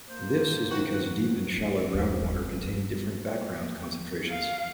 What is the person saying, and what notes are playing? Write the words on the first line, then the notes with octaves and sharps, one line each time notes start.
This is because deep and shallow groundwater contain different background concentrations.
A#3 C5
D#3 F#4
D#3 C#4
E2
F#1
D2
G2 E4
F5